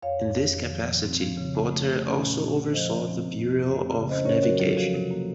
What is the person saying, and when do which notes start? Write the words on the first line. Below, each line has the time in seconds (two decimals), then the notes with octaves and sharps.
In this capacity, Potter also oversaw the Bureau of Navigation.
0.02 F2 C#5 F5
0.20 F2
0.36 F2
0.53 D#3
0.70 F3
0.87 A#2
1.03 C4
1.20 F3
1.37 C#3
1.55 A3
1.71 A3
1.89 A3
2.05 C#4
2.23 A#2
2.39 A#2
2.57 A#2
2.73 F3 C5 D#5
2.90 F3
3.08 C4
3.24 C4
3.41 F2
3.59 C4
3.74 A3
3.92 C#3
4.09 C#4 C5 D#5
4.25 C#4 A#4 C#5
4.42 F#3 F#4 A#4
4.60 F#3 F4 A4
4.77 F3 F#4
4.94 C3
5.11 A#3